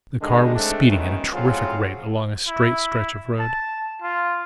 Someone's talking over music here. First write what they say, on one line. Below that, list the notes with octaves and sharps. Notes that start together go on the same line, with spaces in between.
The car was speeding at a terrific rate along a straight stretch of road.
D3 D#3 G3 G#3 D4
G#3 A3 C4 D4
C#2 F#2 D#3 B3 C#4
A2 F#3 C4 F4 G#4
E4
A5
F4